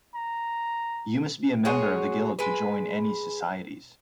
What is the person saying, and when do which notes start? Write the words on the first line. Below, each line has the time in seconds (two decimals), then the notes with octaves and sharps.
You must be a member of the Guild to join any societies.
0.15 A#5
1.65 G#3 F#4 G#4 C#5
2.39 G#3 B4